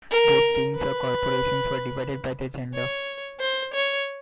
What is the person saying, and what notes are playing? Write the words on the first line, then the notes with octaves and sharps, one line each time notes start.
Both teams, or "corporations", were divided by their gender.
A#4
B4
C#5
C5
C#5